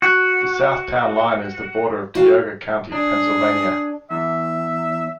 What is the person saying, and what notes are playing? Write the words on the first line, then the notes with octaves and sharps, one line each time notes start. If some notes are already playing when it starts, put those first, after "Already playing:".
The south town line is the border of Tioga County, Pennsylvania.
F#4
F#4 F5 G5
D4 G#4
E2 E5